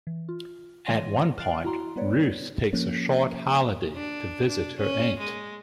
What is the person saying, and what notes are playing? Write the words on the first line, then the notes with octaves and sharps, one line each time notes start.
At one point, Ruth takes a short holiday to visit her Aunt.
E3
F4
E3 G#3 C#5 C6 A#6 D#7
F6 F#6 A6 C7 D7 F#7
E4 F#4 A#5 C6
G3 B3 B4 C#5 D5
F3 A#3 C#4
D4
D4
C#4
G#3